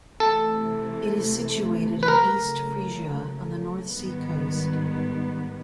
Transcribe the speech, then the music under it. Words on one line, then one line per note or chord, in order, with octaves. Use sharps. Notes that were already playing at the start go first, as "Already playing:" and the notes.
It is situated in East Frisia, on the North Sea coast.
C3 E3 A3 A4
B4
C#3 F#3 A3 A#4
G#2 D#3 G3 B3